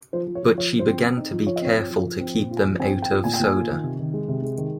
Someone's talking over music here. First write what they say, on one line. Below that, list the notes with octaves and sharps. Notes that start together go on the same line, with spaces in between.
But she began to be careful to keep them out of soda.
F3 C5
F3
C#5
F3
F3 C#5
F3
C5
C4
C4
D#4
F3
F3 C#5
D#5
C4 C#5
F3
F3
F3
C4
A#2
F4
G#5
F3
C4 G#5
C4
G5
F4
A#2 G#5
G5
A#2 G#5
F4
D#3
C3
D#3
G#3
C3
G#3
D#3